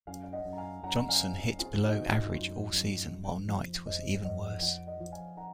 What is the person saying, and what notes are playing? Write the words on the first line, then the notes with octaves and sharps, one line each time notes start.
Johnson hit below average all season while Knight was even worse.
F#2 F5 G#5
F5
D#5 F#5
F#2
A#5
F5 G#5
F#2 F#5 A#5
F5 G#5
C4
C4 F4 G#4
D#4 F#4
C4
F4
F#2 F4
F#2
F2
F3
F2 C5 D#5
F2 D#5 F#5
D#5 F#5
F3 D#5 F#5
D#5 F#5
F3
F5 G#5
F#5 A#5